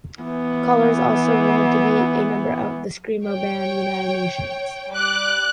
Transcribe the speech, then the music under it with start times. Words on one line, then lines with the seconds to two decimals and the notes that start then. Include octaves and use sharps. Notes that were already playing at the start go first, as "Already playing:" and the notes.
Koller is also rumored to be a member of the screamo band United Nations.
0.23 E3 B3
3.23 C#5 G5
4.93 G3 D6 F#6